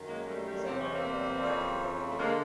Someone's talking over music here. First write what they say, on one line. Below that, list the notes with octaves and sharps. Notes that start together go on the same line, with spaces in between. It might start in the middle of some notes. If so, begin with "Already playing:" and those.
The submarine first fired two torpedoes.
Already playing: F#2 D#3
G#3 A#3
G3 A3
G3 A3
E2 C3 E3 C4
C#4
A#3 C4
F2 C#3 E3
A3
D3 G#3 A#3